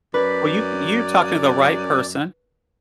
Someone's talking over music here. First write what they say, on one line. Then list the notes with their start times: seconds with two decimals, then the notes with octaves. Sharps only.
Well you you're talking to the right person,
0.14 F#2 B4 D5